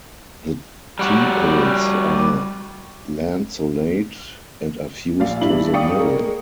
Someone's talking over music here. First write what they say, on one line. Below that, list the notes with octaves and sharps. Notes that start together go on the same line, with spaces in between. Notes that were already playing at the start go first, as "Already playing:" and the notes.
The tepals are lanceolate and are fused to the middle.
G3 F#4
A#1 D5 F5
G2 D4 E4 F#7
D5 F5 G5 C#6 D#6 C#7
G#3 A#3